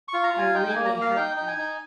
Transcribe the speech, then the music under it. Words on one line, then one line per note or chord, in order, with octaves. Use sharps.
I really hurt them.
C#6
F4
A#5
F4 G#5
D#4 G5
G#5
A#3
A#5
A#3 F5
D#4 G5
D#4
G#5
D#4